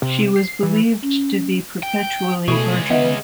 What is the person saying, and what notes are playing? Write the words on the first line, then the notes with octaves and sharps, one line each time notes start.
She was believed to be perpetually virginal.
C3
C7
E3
C#4
G5
C#2 B2 A3 G#4 B5 C#6
B3 B4 D#5 E5 F#5